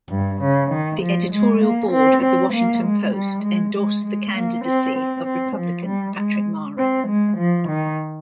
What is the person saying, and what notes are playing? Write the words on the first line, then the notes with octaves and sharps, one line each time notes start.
The editorial board of The Washington Post endorsed the candidacy of Republican Patrick Mara.
G2
C#3
D#3
F3
G#3
A#3
C4
C4
A#3
G#3
G3
G#3
G#3
G#3
A#3
C4
C4
C4
F3
G3
G#3
C4
G#3
F3
D#3